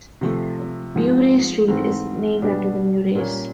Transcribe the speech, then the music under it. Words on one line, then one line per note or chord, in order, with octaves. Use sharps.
Murray Street is named after the Murrays.
C3 F3 A3
G#2 F3 G#3
G#2 E3 A3 C4
B2 G3 B3 D4 G4
A#2 G3 A#3 C#4